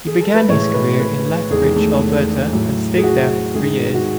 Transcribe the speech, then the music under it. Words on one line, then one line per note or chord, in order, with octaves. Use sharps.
He began his career in Lethbridge, Alberta, and stayed there for three years.
G#4
A4
B4
A2 E3 G#3 C#5
B4
B4
E2 D#3 G#3 G#4
G#3
A3
A2 F#3
G#4
F#4
G#2 D#3 G#3 G#4
F#4